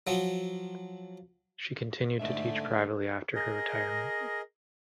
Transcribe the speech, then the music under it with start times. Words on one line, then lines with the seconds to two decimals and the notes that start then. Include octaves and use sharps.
She continued to teach privately after her retirement.
0.07 F3 F#3
2.19 G#2 D3 A3 E5
3.35 G#4 A#4 D#5